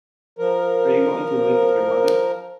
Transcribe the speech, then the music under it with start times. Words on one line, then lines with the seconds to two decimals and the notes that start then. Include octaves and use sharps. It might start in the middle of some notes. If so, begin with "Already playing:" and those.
Are you going to live with your mother?
0.39 F3 A#4